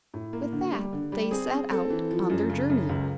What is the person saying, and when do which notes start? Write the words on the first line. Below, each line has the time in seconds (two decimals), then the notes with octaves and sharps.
With that they set out on their journey.
0.14 A2
0.33 A#3
0.52 D3
0.72 G3
0.93 D3
1.12 G3
1.31 C4 G#4
1.51 C4
1.71 C4 A4
1.90 E3
2.11 F3
2.30 F#2
2.50 C#3
2.70 F#2
2.89 C#2